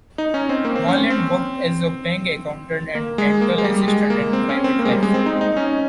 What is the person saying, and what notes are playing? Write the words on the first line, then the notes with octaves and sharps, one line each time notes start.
Marland worked as a bank accountant and dental assistant in private life.
D#4
C#4
C4
A#3
C4
C#4
C4
A#3
G#3
A#3
G#3
G3
G#3
A#3
C4
C#4
C4
A#3
G#3
G3
G#3
C4
D#4
D#4
C#4